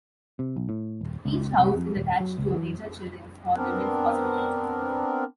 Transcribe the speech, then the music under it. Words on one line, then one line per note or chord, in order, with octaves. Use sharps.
Each House is attached to a major Children's or Women's hospital.
C3
B1
A2
D#1
C#2
C2
F2
D#1
F#3
C#2
E3
B3 C4 D4 A#4